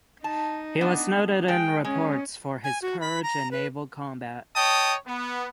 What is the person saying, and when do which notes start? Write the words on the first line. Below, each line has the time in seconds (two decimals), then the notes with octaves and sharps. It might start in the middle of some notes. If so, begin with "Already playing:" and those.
He was noted in reports for his courage in naval combat.
0.24 D#4 A5
0.81 B3 D4
1.48 G#3 G5
1.85 G#3 C#4
2.64 G#5
2.82 F#4
3.01 B5
3.23 A#5
3.51 B4
4.55 C#5 D#5 G5 A5 D#6
5.07 B3